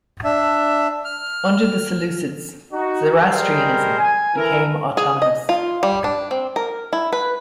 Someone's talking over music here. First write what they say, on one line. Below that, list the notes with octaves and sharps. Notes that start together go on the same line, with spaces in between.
Under the Seleucids, Zoroastrianism became autonomous.
D4 E5
F6
D#4 F#4
G3 G#4 A#4 C5 D#5
G#5
E3 A4 A#4
G#4
D#5
F4
G3
D4
C4
A#4
E4
B4